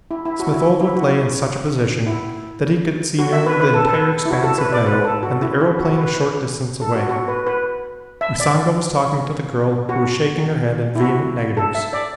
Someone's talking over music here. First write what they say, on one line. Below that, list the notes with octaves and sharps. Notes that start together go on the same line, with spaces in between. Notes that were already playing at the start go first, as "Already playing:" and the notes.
Smith-Oldwick lay in such a position that he could see nearly the entire expanse of meadow and the aeroplane a short distance away. Usanga was talking to the girl who was shaking her head in vehement negatives.
E4
E4
F#4
E4
E4
F#4
E4
F#4
E5
B4
B4
A4
A4
B4
E4
F#4
A4
B4
D5
B4
A4
F#4
E4
E4
F#4
B4
A4
F#4
F#4
B4
B4
E5
D5
F#4
E4
F#4
A4
E5
D5